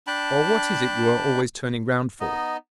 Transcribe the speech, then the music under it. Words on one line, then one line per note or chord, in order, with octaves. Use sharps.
'Or what is it you are always turning round for?'
D4 G5 A5 B5
B3 D#4 D#5